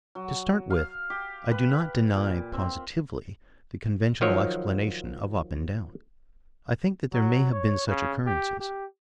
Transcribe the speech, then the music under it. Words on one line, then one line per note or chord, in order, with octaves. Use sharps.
To start with I do not deny--positively--the conventional explanation of "up and down." I think that there may have been such occurrences.
F#3
F5
G4
B4
A#2
C4
D#3 F3 F#3 C#5
F#3
C#5
C#3
G4
G4